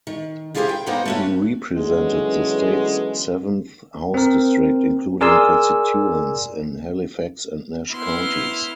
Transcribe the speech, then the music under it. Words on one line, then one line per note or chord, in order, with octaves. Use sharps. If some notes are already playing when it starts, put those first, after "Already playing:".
He represented the state's seventh House district, including constituents in Halifax and Nash counties.
D#3
E4 F4 G4 G#4 A#4 C5
G5
A#3 B3 D#4 F#4 C5 C#5
A3 C#4 F#4
D3 E3 F#3 G#3 B3 C#4
C4 A#4
G#4 A#4 D5 G#5 C6 E6
B3 E4 C6 F6